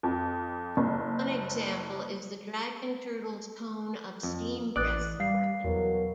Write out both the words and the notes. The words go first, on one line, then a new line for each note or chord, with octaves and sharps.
One example is the dragon turtle's cone of steam breath weapon.
F2
F#1
F2
A1 D5 D#6 F#6 A6
G3 F5 C7
E2 B2 F#3 A#4